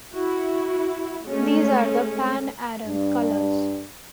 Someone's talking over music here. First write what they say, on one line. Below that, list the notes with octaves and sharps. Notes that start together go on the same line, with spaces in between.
These are the Pan-Arab colors.
E4 F#4
G#3 A3 C#4
G2 D4